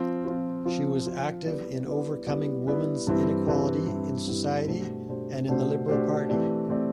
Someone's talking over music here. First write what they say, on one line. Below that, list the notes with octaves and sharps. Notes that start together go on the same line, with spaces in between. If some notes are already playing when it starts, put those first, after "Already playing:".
She was active in overcoming women's inequality in society and in the Liberal party.
Already playing: F3 C4 F4
F3 C4 F4
F3 C4 F4
F3 C4 F4
G3 B3 E4 B4 D5
G3 B3 E4 B4 D5
G3 B3 E4 B4 D5
G3 B3 E4 B4 D5
G2 E3 G3 C4 E4
G2 E3 G3 C4 E4
G2 E3 G3 C4 E4
G2 E3 G3 C4 E4
B2 A3 D4 G4 C5
B2 A3 D4 G4 C5
B2 A3 D4 G4 C5
B2 A3 D4 G4 C5
E3 A3 C4 G4 D5
E3 A3 C4 G4 D5